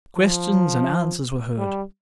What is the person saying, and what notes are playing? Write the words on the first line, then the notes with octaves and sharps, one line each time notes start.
Questions and answers were heard.
F3
G3